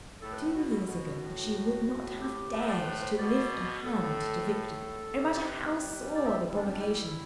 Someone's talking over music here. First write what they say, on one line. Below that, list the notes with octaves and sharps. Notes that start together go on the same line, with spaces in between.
Two years ago she would not have dared to lift a hand to Victor, no matter how sore the provocation.
A2 A4
B4
B2 F#4
E4
B2 F#4
A2
A2
F#4
G4
A2
E5
D5
C5
B4
C5
B2 D5
A2 A4
A4
C3
D5
C5
B4
G3
D5
E5
G3 E4
D4
C4
D4
E4